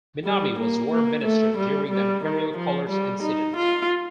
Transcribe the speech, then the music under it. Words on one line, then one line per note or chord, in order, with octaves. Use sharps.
Minami was War Minister during the Imperial Colors Incident.
G3
A#3
A#3
A3
G3
G3
D#3
F3
G3
D#4
F4